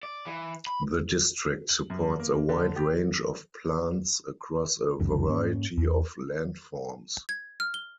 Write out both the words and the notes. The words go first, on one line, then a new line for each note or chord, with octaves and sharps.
The district supports a wide range of plants across a variety of land forms.
D5
E3
B5
F#7
F#2
A#3
D3
G4
F1 C#2 F#2 D#3
G#2 A#3 C#4
E2
G#6
F6
G7